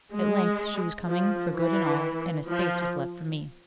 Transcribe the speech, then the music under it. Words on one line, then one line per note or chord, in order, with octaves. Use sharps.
At length she was coming for good and all, and a space was left for me.
G#3
F3
E3
F3